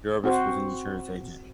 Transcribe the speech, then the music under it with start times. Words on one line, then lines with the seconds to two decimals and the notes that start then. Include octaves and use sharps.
Jarvis was an insurance agent.
0.24 C4 F#4 C5